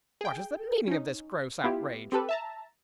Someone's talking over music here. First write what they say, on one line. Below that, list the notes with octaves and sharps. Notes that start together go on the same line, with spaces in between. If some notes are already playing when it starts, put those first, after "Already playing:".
'What is the meaning of this gross outrage?
G#4 G5
C#4 D#4
B3 E4 F4 G4
C4 G4 A4 B4
E5 A5 A#5